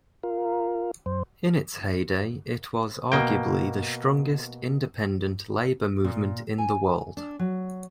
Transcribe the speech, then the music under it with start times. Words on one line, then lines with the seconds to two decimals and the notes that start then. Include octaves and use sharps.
In its heyday it was arguably the strongest independent labour movement in the world.
0.23 F4 A#4
1.06 F#2 C5
3.12 B2 A#3 G5
6.04 A#2
6.58 G#5
7.17 D4
7.39 F#3